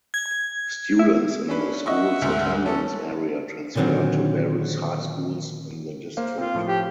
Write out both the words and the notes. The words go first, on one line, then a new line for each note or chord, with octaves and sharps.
Students in the school's attendance area transferred to various high schools in the district.
G#6
E4
C#4 D4 B4
D#5 E5 F#5 C#6
D2 G#2
C#4 A4
A#2 D3 D#3 F#3 C4
A#3 C5 F5
C4 F4
A2 F3
G4